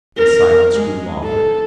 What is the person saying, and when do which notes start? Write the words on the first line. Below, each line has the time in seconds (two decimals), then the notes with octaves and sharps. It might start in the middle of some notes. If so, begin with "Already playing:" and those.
The silence grew longer.
0.17 A#4
0.75 G#3
1.23 A4